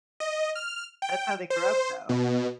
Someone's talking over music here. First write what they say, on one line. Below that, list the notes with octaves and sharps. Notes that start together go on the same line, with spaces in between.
that's how they grew up, though.
D#5
F6
G5
C5
B2